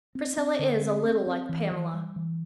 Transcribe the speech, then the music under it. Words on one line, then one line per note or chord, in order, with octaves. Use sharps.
"Priscilla is a little like Pamela."
C4
C4
D3
C4
C4
C4
E3
E3
G3
E3